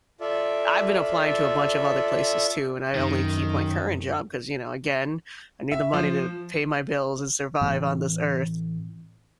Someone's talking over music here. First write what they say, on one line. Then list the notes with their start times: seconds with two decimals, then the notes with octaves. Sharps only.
I've been applying to a bunch of other places too, and I only keep my current job 'cause, you know, again, I need the money to pay my bills and survive on this earth.
0.21 F4 A4 D5 E5
2.95 F#2 D#3
5.71 E5
5.93 F3
7.61 A2 E3 C4